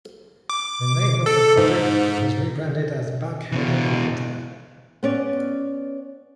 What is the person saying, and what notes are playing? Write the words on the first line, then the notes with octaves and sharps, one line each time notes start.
The name of the project was rebranded as 'Buckhead Atlanta'.
D6
A4
G#2
B2 E3
B3 C#4 D5